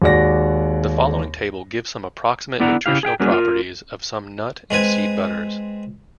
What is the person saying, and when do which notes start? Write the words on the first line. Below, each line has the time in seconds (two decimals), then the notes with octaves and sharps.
The following table gives some approximate nutritional properties of some nut and seed butters.
0.02 D#2 G#3 F#4 D5 A#6
2.60 D3 B3 E4 D5 F#5 A#5
2.86 C#3 E4 G4 F5
3.03 G#4 F5 G5
3.20 F#3 G3 A#3 C#4 F#4 G#4
3.32 F4 A#4
4.71 G#3 C4 B4 G#5